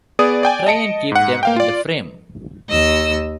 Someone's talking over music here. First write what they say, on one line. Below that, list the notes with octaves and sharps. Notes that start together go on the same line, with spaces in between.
Try and keep them in the frame.
B3 G#4 D5 D#6
D5 G5 G#5
D#5 A5 C#7 D7
G#2 F#5
A#3 F5 G5
F4 D5
D#2 D#5 E6